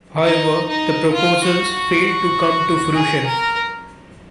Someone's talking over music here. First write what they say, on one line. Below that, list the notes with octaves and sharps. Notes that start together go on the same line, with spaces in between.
However, the proposals failed to come to fruition.
D#4
D#4
F4
F#4
F#4
G#4
A#4